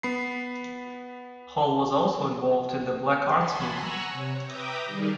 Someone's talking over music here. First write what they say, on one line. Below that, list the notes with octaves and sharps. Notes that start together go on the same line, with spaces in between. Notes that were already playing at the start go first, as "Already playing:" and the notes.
Hall was also involved in the Black Arts Movement.
B3 B5 C7
F#5 G#5 A5 B5 C6
F#5 G#5 A#5 C#6 E6 F#6
C3 C#5
B4 E5 G5 A#5 D6 D#6
D#3 G3 D#4 G#4 A#4 D5